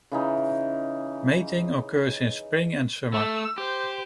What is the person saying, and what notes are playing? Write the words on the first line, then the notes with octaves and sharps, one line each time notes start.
Mating occurs in spring and summer.
C#3 E3 D#4
A3 E6
G4 C5